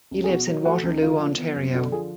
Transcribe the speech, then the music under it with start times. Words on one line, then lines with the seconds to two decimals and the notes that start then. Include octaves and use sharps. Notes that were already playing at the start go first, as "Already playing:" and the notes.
He lives in Waterloo, Ontario.
0.11 C#2
0.24 G#4
0.29 B2 F#4
0.47 F#3
0.65 A3 F#4
0.84 C#2
1.02 D3 F4
1.19 F3
1.37 B3
1.55 F#2
1.74 D3 F#4
1.92 F3 G#4